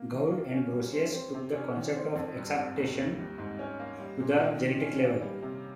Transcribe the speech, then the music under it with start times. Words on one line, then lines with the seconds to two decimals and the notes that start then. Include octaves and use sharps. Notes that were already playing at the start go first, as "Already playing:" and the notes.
Gould and Brosius took the concept of exaptation to the genetic level.
Already playing: A#3
0.11 D#3
0.31 A#3
0.52 C#4
0.73 G3
0.93 C4
1.13 C4
1.34 C3
1.54 C#4
1.75 D#3
1.95 C4
2.15 F2
2.36 G2
2.56 G#1
2.76 D#2
2.97 D#2
3.18 G3
3.38 G#2
3.59 C#4
3.80 A#3
4.00 G3
4.20 A#2
4.40 D#3
4.61 D#3
4.81 C#4
5.02 A#3
5.22 G3
5.42 C3